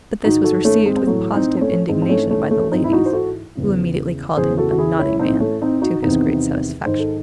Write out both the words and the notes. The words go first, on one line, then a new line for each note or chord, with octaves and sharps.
But this was received with positive indignation by the ladies, who immediately called him a "naughty man," to his great satisfaction.
G#2 D#3 D#4 F#4
F#4 A4
A3 C#4
G#3 C4
C4
A2 E3 F#3 A3
C4 D#4
C4
A3 C#4
G#2 E3 G#3 C4
C4
A3 C#4
A3 C#4
A3 C#4
G#2 E3 C4 D#4
E4
D#4 F#4
C5
F#4 A4
E2 C#3 E3
E2 C#3 E3 G#4 C5
F#4 A4
F#4
E4 G#4
C#4 E4
A2 E3 C4 D#4
A3 C#4
C4 D#4
D#4 F#4
E2 C3 D#3 C4 D#4
G#2 D#3 C5
A4